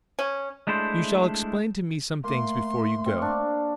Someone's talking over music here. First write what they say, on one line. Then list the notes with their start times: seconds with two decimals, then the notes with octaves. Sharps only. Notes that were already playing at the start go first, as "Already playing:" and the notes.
"You shall explain to me some things before you go."
0.19 C#4
0.67 G#3 A3 D4 E4 C5
2.24 A3 A#3 C6
3.06 C4 F5
3.18 D4 C#6